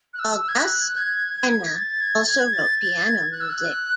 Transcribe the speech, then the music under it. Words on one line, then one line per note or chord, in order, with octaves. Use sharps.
August Enna also wrote piano music.
F#6
E6
G#6
F#6
G#6
G#6
A6
G#6
G#6
A6
A6
G#6
F#6
E6
F#6